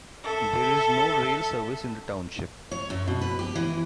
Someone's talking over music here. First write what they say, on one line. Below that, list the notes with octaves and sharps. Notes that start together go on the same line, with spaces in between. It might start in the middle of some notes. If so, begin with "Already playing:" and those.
There is no rail service in the township.
A4 E5
C#5
F#2
B2
B4
G4
E3